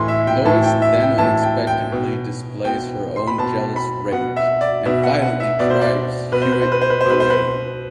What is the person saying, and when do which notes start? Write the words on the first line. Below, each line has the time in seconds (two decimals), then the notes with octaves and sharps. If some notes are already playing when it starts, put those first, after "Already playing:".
Lois then unexpectedly displays her own jealous rage, and violently drives Hewitt away.
Already playing: A2 E3 C6
0.08 E5
0.27 G5
0.45 A2 E3 A5
0.64 G5
0.82 E5
1.00 G5
1.18 A2 E3 A5
1.43 G5
1.67 G5
1.92 B2
2.65 B2 G5
3.16 C6
3.27 B5
3.38 B2 A5
3.76 B5
4.12 B2 F#5
4.36 E5
4.61 D5
4.86 B2 E5
5.03 F#5
5.22 F#5
5.40 E5
5.59 B2 D5
5.70 C5
5.81 D5
6.32 B2 B4
6.42 C5
6.52 B4
6.62 C5
6.72 B4
6.81 C5
6.90 B4
7.01 C5
7.05 B2 B4
7.20 C5
7.30 B4